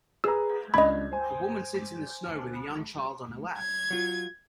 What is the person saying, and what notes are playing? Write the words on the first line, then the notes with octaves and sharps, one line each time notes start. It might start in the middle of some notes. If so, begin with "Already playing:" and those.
A woman sits in the snow with a young child on her lap.
G#4 B4 A#5 E6
C#2 D4 D#5 B5 G#6
C5 G#5
G#6
F#3 F4